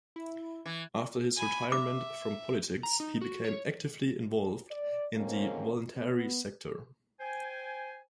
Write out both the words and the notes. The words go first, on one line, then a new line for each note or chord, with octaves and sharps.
After his retirement from politics he became actively involved in the voluntary sector.
E4
E3 G#6
G#5 B5
E5 D6
A#5
D#4
F#4
C#5
D5
F2 G#2 B2 A#3 C4 C#4
B3
C5 G5 G#5